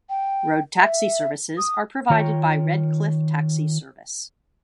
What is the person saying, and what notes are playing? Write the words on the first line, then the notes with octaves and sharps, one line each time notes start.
Road taxi services are provided by Redcliffe Taxi Service.
G5
E5
D#6
D#3 F4 C#5 G5 A#5